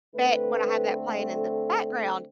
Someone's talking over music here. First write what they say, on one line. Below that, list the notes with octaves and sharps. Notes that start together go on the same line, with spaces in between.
but when I have that playing in the background,
D3 A3 C4 B4